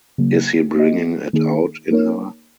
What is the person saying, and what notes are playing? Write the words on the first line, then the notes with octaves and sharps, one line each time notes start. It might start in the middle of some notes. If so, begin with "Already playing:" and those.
Is he bringing it out in her?
C#3 F#3 A#3
A#3 F#4 D#5
D#3 A#3 D#4 G#4
A#3 D#4 A#4 C#5